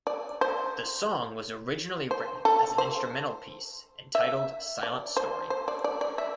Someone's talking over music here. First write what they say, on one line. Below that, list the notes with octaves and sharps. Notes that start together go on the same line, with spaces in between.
The song was originally written as an instrumental piece and titled Silent Story.
D5
C5
C5
A4
C5
E5
D5
C5
C5
D5
D5
D5
E5